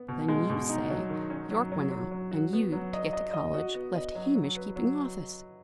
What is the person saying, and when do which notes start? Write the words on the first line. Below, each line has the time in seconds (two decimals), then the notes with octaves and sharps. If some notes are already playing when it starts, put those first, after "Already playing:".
Then, you say, Yorke went out; and you, to get to college, left Hamish keeping office!
Already playing: B3
0.08 B2
0.28 G#3
0.50 B2
0.69 D#4
0.90 F#3
1.09 D#3
1.30 C#4
1.51 F#3
1.72 F#3
1.91 F#3
2.11 F#3
2.31 F#4
2.53 B3
2.72 F#3
2.94 D#5
3.13 D#5
3.34 D#5
3.54 F#4
3.74 B3
3.95 D#5
4.15 F#3
4.35 F#3
4.56 B4
4.76 F#3